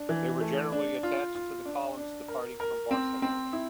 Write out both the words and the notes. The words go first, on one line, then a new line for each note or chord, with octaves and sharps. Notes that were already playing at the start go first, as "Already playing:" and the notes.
They were generally attached to the columns departing from Barcelona.
Already playing: D4
E3
A3
D4
F4
F4
D4
D4
A#4
A#4
C4
C4
E4